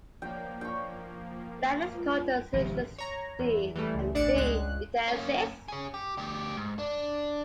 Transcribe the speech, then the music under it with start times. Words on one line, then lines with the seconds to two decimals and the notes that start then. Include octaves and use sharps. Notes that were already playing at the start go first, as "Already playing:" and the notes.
Let us call the solutions "d" and "d", if they exist.
0.22 F3 A#3 G5
0.61 G5 C#6
1.91 C#2
2.53 G#1 C3 F3
2.98 C#5 A#5
3.39 E2
3.76 E3 G3 A3
3.94 C#2
4.14 A1 D4 D5 C#7 E7
4.35 C#2 G#3 F#6
5.08 A#3 C#4
5.68 C#4 G#4
5.94 G4
6.18 D2 G4
6.57 G#2
6.79 D4